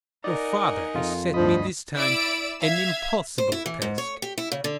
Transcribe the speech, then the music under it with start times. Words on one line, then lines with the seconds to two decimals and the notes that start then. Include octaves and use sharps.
Your father has set me this time an impossible task.
0.24 D#4 A#4 D5 F#5 G#5
0.94 F2 F4
1.34 D2 G2 F3 D#5 B5
1.95 E4 D5 E6 D7
2.61 E5 F5 G#6
3.38 C5
3.52 E4
3.66 E3
3.82 G#2
3.98 C#5
4.22 G4
4.38 E4
4.52 C#3
4.64 D3